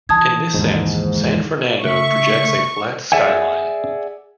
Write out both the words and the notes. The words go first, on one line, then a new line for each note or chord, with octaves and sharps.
In this sense, San Fernando projects a flat skyline.
E3 A5 D#6 G#6
F1 D#2 G#2
C#3 A3 E5 C#6
G#4 D5 E5 F#5 G#5